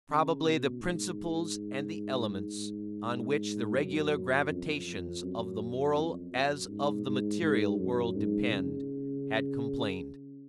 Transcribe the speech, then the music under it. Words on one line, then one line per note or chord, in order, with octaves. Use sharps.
Probably the principles and the elements, on which the regular gravitations of the moral, as of the material, world depend, had complained.
C#3
B2
G#2
G#2
F#2
F2
F#2
F2
F#2
G#2
G#2
G#2
F#2
G#2
C#3